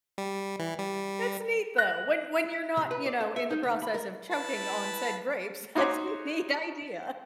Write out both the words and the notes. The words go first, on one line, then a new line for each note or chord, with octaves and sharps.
It's neat though, when when you're not, you know, in the process of choking on said grapes, that's a neat idea.
G3
E3
G3
F#6 A#6
C3
B4
D5
A4
E5
D#4
D2
B5
A#4
E4 B4 A5
D#4 F#4 C5 C#5 C6 D6